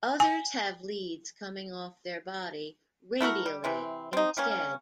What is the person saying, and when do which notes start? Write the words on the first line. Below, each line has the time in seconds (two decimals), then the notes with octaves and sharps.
Others have leads coming off their body "radially" instead.
0.20 G#5
3.21 A3 E4 F#4 A#4
3.46 G3
3.64 C3 E3 C4
4.13 C4 D#4
4.37 G3 A#3 C#4